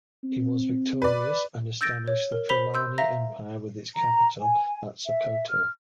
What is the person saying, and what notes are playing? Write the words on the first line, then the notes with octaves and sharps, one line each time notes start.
He was victorious, and established the Fulani Empire with its capital at Sokoto.
C4
B4 D5
E6 G6 A6 A#6 D7
C#5
A#4
C5 B5 B6 F7 G7
C6 E6 G6
E5 F5 A#5 A#6
A#5
G#5
E5
F6